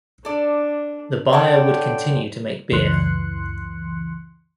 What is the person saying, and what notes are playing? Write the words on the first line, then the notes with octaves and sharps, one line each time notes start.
The buyer would continue to make beer.
D4 A4 D5
C#3 D4 A4 C#5 F#5 G5 A5 C6
C#2 F#2 E3 C6 F#6 C#7